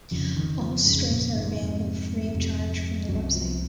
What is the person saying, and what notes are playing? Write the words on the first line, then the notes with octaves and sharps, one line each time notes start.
All strips are available free of charge from the website.
F2 C#3 F3
D#3
F3
F2 G#2 C#3 G#3
A#2 A#3
G#2 G#3
F2 C3
F2 C3
C2 F#2 C3 F#3
F3